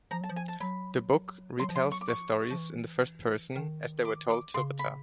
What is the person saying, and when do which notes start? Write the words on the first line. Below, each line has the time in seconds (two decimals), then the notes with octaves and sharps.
The book retells their stories in the first-person, as they were told to Ritter.
0.11 F3 A#5
0.21 F#3 A5
0.29 F3
0.36 G#5
0.48 A5
0.60 F#3 B5
1.59 F#3 C6
1.69 F3
1.76 C6
1.81 F#3
1.92 C#6
2.01 D6
2.08 F3 C#6
2.50 F3
2.58 E3
3.56 D#3
4.05 D6
4.30 D6
4.54 C#3 C6
4.79 B5